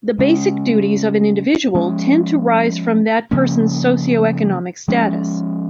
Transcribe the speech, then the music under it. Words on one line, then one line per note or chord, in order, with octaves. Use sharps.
The basic duties of an individual tend to rise from that persons socio-economic status.
C#3 G#3 C#4
F3 G#3 C#4
C#3 F3 A#3 C#4
F3 G#3 C#4